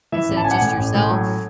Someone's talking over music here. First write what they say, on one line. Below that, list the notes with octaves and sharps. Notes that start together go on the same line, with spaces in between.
instead of just yourself
E3 E5
A1
A5
A1 G#5
F#5
A2 G#5
A1
A2
F#3